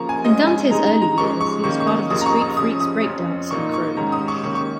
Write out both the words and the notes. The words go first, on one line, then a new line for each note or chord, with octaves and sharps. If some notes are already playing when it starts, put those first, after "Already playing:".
In Dante's early years, he was part of the Streat Freaks breakdancing crew.
Already playing: C#3 F3 A#3 A#5 C#6
G#5
G#2 F3 G#3 C#4 D#5
G#5
C#3 G#3 D#4 A#5
A#5
A#5
C#3 F3 G#3 C#6
C#6
D#3 A#3 C#4 C#6
C#6
D#6
F2 C#3 A#3 D#6
A#5
C#6
D#6
C#3 F3 C#4 D#6
D#6
F2 F3 C#4
A#2 A#3 D#4 C#6
C#6
G#2 D#3 C#4 A#5
D#6
C#6
D#3 A#3 C#4 C#6
C#6